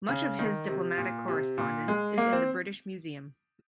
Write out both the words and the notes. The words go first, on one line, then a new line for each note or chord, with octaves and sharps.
Much of his diplomatic correspondence is in the British Museum.
C#3
D#3
C3
A#2
C3
A#2
G#3
A#3
C4